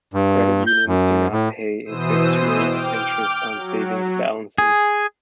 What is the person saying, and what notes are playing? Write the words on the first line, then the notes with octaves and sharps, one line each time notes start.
Credit unions do not pay a fixed rate of interest on savings balances.
G2
G6
F#2
A2
B2 E3 C5 D#6 E6 D#7
G5 D6 F6
F#3
G#4